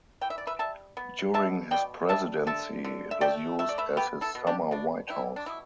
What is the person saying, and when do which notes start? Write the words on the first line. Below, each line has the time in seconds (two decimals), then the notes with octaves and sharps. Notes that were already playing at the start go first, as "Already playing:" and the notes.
During his presidency, it was used as his Summer White House.
0.21 E3 G5
0.30 E5
0.38 D5
0.47 B4 E5
0.59 G3 E5 A5
0.97 B3
1.34 B2 E5 A5
1.71 B2 D5 G5
2.09 G3 E5 A5
2.47 D3 E5 A5
2.84 D3
3.11 E5
3.21 A3 D5 G5
3.59 A3 E5
3.69 D5
3.78 B4 E5
3.97 B3 G4 B4
4.21 E4 A4
4.35 B2
4.47 D4 G4
4.71 B2 D4
5.09 G3 E4
5.36 D4
5.46 B2 E4